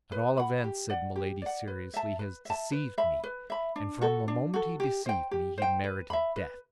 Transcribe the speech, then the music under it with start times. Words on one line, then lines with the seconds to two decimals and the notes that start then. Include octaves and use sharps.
"At all events," said Milady, seriously, "he has deceived me, and from the moment he deceived me, he merited death."
0.12 B4
0.37 F#5 B5
0.64 G4
0.90 D5 F#5
1.16 G4
1.42 D5 F#5
1.68 B4
1.94 E5 A5
2.19 B4
2.45 E5 A5
2.72 B4
2.98 E5 B5
3.24 B4
3.50 E5 B5
3.76 D4
4.01 F#4 A4
4.28 D4
4.54 F#4 A4
4.80 G4
5.06 C5 G5
5.31 G4
5.58 C5 G5
5.84 B4
6.10 E5 B5
6.36 B4